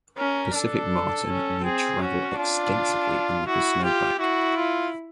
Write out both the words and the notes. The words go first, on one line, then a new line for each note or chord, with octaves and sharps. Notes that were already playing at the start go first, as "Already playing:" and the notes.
Pacific marten may travel extensively under the snowpack.
C#4 A#4
D4 A4
C#4
C4 G#4
C#4 F#4
D4 F4
E4 F#4
F4 G4
E4 F#4
F4